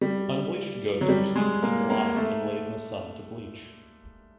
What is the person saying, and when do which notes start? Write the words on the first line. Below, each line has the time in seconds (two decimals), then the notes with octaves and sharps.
Unbleached goods were steeped in lye and laid in the sun to bleach.
0.01 G3
1.01 F#3
1.09 G3
1.36 G#3
1.63 A#3
1.90 A#3
2.16 A3